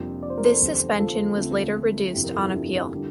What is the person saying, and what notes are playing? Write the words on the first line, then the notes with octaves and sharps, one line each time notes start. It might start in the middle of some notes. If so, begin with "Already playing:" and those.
This suspension was later reduced on appeal.
Already playing: F1 F2 C3 G3 A#3 D4 F4
D5
C5
A#4
A4 C5
F1 E2 D3 G3
F4 A4
D2 D3 F3 C4
G1 F2 C3 E4 G4
G4 A#4
F4 A4
E4 G4
D4 F4
D3 G3